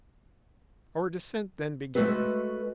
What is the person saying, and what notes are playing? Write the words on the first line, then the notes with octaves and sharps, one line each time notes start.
Our descent then began.
G#3 A3 D#4 F#4 A4 B4